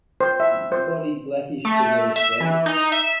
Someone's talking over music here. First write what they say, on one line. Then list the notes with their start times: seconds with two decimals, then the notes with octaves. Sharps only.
Body blackish to reddish brown.
0.21 C5
0.40 E5
0.72 C5
1.65 A3
2.16 E5
2.40 E3
2.66 D#4
2.92 E5